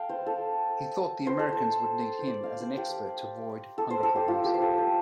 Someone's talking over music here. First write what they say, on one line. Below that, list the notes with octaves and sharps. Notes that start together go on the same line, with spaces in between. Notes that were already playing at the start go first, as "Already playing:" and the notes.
He thought the Americans would need him as an expert to avoid hunger problems.
Already playing: A4 F5 G5
C5
A4
C5
A4
C5
C5
D5
F5
C5
G4
A4
C5
A4
G4
F4
G4
C5
A4
C5